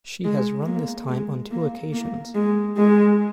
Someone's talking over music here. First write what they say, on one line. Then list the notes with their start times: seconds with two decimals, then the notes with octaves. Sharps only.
She has run this time on two occasions.
0.24 G#3
0.66 A#3
1.08 G#3
1.51 A#3
1.92 A#3
2.35 G#3
2.77 G#3